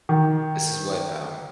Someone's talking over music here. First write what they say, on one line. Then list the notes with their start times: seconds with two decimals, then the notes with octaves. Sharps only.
this is what, um,
0.09 D#3